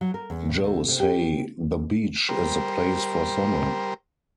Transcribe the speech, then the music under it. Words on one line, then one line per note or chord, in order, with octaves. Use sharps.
Joe say The beach is the place for summer.
F#3
A#4
E2
A2
D2
C3
G4
G3 A#4 C5